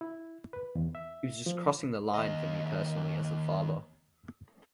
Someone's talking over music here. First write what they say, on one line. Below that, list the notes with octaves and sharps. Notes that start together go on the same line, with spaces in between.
It was just crossing the line for me personally as a father.
E4
B4
E2
E5
F3
D#2 D#5